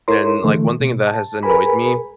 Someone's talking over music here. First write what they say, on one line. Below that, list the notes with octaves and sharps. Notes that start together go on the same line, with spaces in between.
And, like, one thing that has annoyed me
E4 A4 A#4 C#5 C6
D3 E3 A3
B2
A5
G#4 A#4 B4 G#5 B5